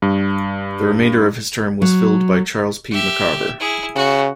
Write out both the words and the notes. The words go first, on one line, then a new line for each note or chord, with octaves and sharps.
The remainder of his term was filled by Charles P. McCarver.
G2
F#3
G4 E5
E4 G#4
C#3 F#4